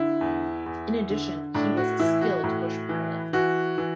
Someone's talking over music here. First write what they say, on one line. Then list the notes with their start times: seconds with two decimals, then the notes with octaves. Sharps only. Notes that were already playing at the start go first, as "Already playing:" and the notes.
In addition, he was a skilled bush pilot.
Already playing: D3 E4
0.21 E2
0.66 E2
1.10 D3
1.54 A2 D4
1.77 F#4
1.99 E3 E4
2.21 F#4
2.44 A2
2.89 E3
3.33 E3 F#4
3.78 E3